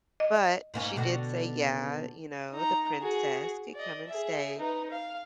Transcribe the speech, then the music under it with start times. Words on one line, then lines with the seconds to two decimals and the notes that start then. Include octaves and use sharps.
But she did say, "Yeah," you know, the princess could come and stay
0.20 D#5
0.74 G#2 A#3 C#4
0.96 B2 D3 F#4
2.53 D#4 A#5
3.01 F#4 G#4
3.74 D5 D#5
4.07 G#4 E5
4.58 D#4 B4
4.90 F5